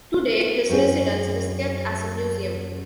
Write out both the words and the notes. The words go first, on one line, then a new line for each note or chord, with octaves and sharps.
Today, his residence is kept as a museum.
F#2 C4 C#4 G#4